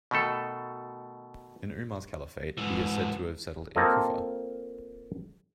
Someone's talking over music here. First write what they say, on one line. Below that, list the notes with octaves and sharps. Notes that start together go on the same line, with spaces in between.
In Umar's caliphate he is said to have settled in Kufa.
B2 D#3 A3 A4
G#2 E3
A#3 C4 F4 A4 D#5